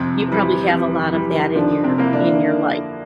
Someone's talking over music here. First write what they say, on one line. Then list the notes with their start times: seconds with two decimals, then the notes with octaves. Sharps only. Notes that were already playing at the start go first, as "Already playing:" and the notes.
you probably have a lot of that in your in your life.
Already playing: F2 C3 C4
0.28 E3 G3
0.70 F2
1.14 E3 G3
1.56 D3 F3 D4
1.84 C3 C4
1.98 A#3 E4 A#4
2.12 D3 D4